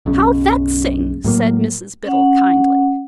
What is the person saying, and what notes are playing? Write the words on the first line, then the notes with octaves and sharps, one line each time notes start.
How vexing!' said Mrs Biddle, kindly.
B1 F#2 C#3
A2 F#3 A#3
C#4 F#5